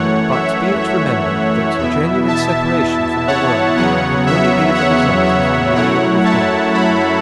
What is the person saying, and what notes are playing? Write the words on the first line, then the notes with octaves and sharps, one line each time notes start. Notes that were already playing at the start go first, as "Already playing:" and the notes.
But be it remembered that genuine separation from the world can only be the result of communion with God.
Already playing: F#2 E3 A3 C#5 F#5
E5
E5
E2 B2 B3 E4 E5
E5 A5
C#5 F#5
E2 C#3 F#3 B3 C#5 F#5
E5
C#5 F#5
E5
F#2 F#3 A3 E4 C#5 F#5
E5 A5
F#5 B5